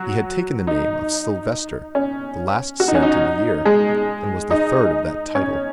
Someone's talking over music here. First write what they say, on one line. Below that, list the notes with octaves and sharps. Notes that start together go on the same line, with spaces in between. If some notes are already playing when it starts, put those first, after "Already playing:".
He had taken the name of Silvester, the last saint in the year, and was the third of that title.
Already playing: F#3 F#4
D#4
C#4
F#4
D#4
C#4
D#4
G#3 G#4
D#4 D#5
C#4 C#5